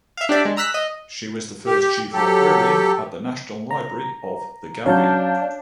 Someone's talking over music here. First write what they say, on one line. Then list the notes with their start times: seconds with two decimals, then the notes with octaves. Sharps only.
She was the first Chief Librarian at the National Library of The Gambia.
0.17 E5 F5
0.29 D4 G4 D5 E5
0.45 G#3
0.57 A#5 E6 F#6 B6
0.74 D#5
1.66 G4
2.13 F#3 G4 A4
3.71 A#5
4.86 F#3 C#4 D4 C#5 F5 A5 G6